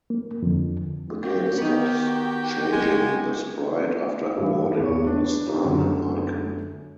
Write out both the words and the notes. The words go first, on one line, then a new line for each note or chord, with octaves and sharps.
The game stops changing the sprite after awarding the starman icon.
A#3
F2 D3
F#4 G4 G5
D#3 B3 D#4
G#3
G2 E3
E2 C#5 C#6
D4 B4 C#5
D4 D#4 F4 G4
F#2 D3 F#3